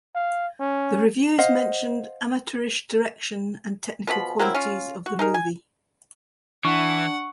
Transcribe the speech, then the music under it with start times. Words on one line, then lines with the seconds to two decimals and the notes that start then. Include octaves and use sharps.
The reviews mentioned amateurish direction and technical qualities of the movie.
0.15 F5
0.60 C#4
1.38 C5 D#5 F5 F#5
4.07 B2 F3 D#4 B5
4.39 F#3 A#3 C4 E4
4.54 C#4 F4
5.06 F#4
5.19 D#4 G#4 A#4
5.34 G#5
6.65 E3 D4 F#5 C#6